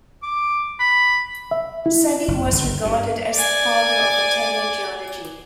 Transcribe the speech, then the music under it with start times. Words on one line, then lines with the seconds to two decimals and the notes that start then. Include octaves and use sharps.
Savi was regarded as the father of Italian geology.
0.23 D6
0.80 B5
1.51 E5
1.86 E4
2.28 F#1
2.53 G1
2.85 G2
3.34 D5 G#5